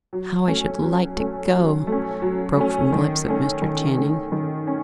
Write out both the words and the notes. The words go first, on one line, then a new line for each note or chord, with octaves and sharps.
"How I should like to go!" broke from the lips of Mr. Channing.
F#3
A3 C#4
F#3
A3 C#4
F#3
A3
C#4
F#3
A3 C#4
D#3
A3 C#4
D#3
A3 C#4
D#3
C#4